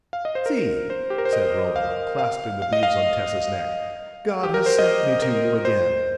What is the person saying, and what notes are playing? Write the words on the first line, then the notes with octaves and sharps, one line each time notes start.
"See," said Romola, clasping the beads on Tessa's neck, "God has sent me to you again."
F5
D#5
C5
A#4
C5
G4
A#4
C5
D#5
F5
F5
F5
D#5
F5
G4
A#4
C5
D#5
A#4
C5